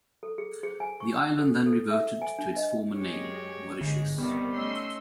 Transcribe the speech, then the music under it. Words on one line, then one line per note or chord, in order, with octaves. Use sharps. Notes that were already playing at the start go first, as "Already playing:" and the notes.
The island then reverted to its former name, 'Mauritius'.
A4
G#4
G#4
G#5
C#6
A4
A4
E5
G#5
D4
D#5
F#2 G#3 G4 C#5
G1 G#2 D3 G#3
C3 D#3 G3 B3
A3 C#4 D#4 C6 E6